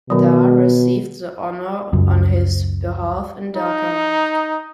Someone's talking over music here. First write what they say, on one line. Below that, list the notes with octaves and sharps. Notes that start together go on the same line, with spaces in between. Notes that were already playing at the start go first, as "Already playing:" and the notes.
Dhar received the honour on his behalf in Dhaka.
B2 D#3 F#3
C#2 F#2
D#4